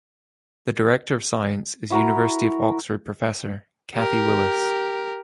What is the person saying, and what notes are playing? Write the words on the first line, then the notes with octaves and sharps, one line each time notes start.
The Director of Science is University of Oxford Professor Kathy Willis.
E4 F#4 A#4 A#5
G4 A#4